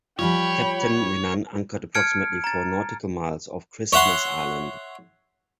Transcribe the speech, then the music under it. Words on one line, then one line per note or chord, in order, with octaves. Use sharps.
Captain Rinnan anchored approximately four nautical miles off Christmas Island.
F3 G3 F4 C#5 G5 B5
A5 F6 G#6 C#7 D7
A#5 A6
C#5 E5 F#5 C6